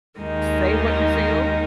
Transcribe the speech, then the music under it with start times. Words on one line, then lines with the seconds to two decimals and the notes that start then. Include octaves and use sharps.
say what you feel,
0.20 D#2 D#3 G#3 D#4